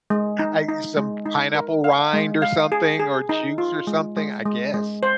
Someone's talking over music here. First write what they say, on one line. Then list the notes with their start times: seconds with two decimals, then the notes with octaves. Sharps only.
I some pineapple rind, or something, or juice, or something, I guess.
0.10 G#3
0.39 D#4
0.68 D#4
0.97 G#3
1.26 D#4
1.55 A#4
1.84 F5
2.13 G#3
2.42 F5
2.72 G#4
2.99 G#4
3.29 D#4
3.58 F4
3.87 G#3
4.16 G#3
4.45 G#3
4.74 G#3
5.03 C5